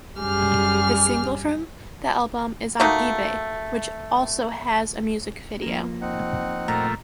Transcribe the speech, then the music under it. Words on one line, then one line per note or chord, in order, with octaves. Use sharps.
The single from the album is "On eBay", which also has a music video.
F#2 G3 G4 G#4 F6
A3 A#3 D#4 F#4
F3 A#3
C4 D#4 F#5
A#2 A3 A#5